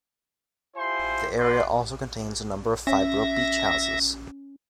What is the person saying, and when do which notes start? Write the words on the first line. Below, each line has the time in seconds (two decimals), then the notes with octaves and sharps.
The area also contains a number of fibro beach houses.
0.76 E4 F4 G4 C5 G#5 C6
1.37 B4 D5 F#5 C6
2.87 C#4 E5 A#6